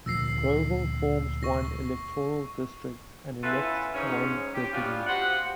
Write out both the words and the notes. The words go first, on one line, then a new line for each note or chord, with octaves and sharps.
Grouville forms one electoral district and elects one Deputy.
D2 A#2 F3 E6 A#6 C7
C#6 A#6
B3 C#4 E4 F4 A4 B4
G#2 C#4
G4
G3 B3 C#4 D4 F4
F#4 G4 C5 F#5